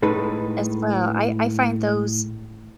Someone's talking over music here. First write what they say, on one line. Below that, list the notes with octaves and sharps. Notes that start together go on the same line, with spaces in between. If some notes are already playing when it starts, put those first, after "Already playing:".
As well, I I find those
A2 G#3 D#4 A4 B4